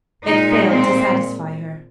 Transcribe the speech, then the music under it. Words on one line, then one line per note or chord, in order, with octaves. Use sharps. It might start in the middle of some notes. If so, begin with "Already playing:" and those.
It failed to satisfy her.
A#2 G#3 D#4
C4